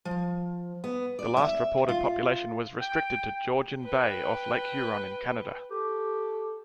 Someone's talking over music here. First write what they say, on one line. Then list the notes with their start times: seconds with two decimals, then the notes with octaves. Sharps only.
The last reported population was restricted to Georgian Bay off Lake Huron in Canada.
0.05 F3
0.84 B3
1.19 D5
1.37 E5
1.88 F4
2.81 G5
3.82 B4 G5
5.71 G4 A4